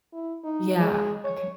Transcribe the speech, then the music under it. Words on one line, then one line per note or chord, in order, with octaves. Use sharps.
Yeah. Okay.
E4
D#4
G#3
C#5